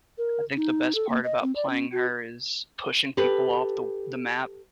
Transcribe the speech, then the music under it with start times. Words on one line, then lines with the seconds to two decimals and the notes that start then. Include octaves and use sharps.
I think the best part about playing her is pushing people off the w the map.
0.18 A#4
0.57 D#4
0.95 A4
1.09 A#3
1.24 D#5
1.42 C4
1.56 D5
1.70 C#4
1.92 F#4
3.17 G4 A4 B4